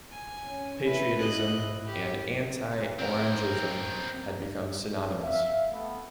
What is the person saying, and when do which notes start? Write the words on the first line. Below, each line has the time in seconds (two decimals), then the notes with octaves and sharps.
Patriotism and anti-Orangism had become synonymous.
0.11 G#5
0.46 C#4
0.84 E4 B4
1.18 G#2 E4 D#5 F#6
1.86 G4
2.99 C4 A#4
5.21 E5 F5
5.72 A3 B3